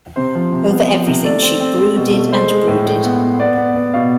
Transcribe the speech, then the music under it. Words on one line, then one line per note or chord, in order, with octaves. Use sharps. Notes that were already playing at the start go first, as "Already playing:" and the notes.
Over everything she brooded and brooded.
C3 C5
F3
C3
B3
F3
C3
A3 D5
C4
C4
C4
B2
A3
G#3 C5
G#3
A2
A2
B3
B3
B3 D5
B3
B3
B2 F5